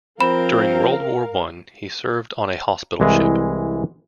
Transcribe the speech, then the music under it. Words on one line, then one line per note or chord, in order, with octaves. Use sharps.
During World War One he served on a hospital ship.
F3 C4 A#4 F5 B5
C2 E3 G#3